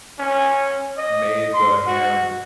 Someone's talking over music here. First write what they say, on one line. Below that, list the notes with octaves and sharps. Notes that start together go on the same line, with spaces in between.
made the ham
C#4
D#5
C6
F#4